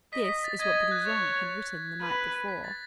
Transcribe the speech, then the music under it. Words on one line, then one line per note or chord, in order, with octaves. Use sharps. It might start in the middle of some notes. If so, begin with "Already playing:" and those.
This is what Brujon had written the night before.
D#5 B6
B6
A6
D#5 G#6
G#6
F#6
C#5 A6
B4
B6
A6